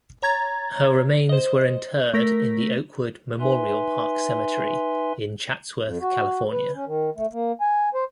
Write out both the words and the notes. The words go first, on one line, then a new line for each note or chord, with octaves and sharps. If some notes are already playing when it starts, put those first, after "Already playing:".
Her remains were interred in the Oakwood Memorial Park Cemetery in Chatsworth, California.
C#5 A#5 G#6 A6
C5 D#5
A3 A#4 A#6 B6
D#4 B4 E5 G#5 C6
F2
F#4
B4
C#4
D#3
A3
A#3
G#5
C5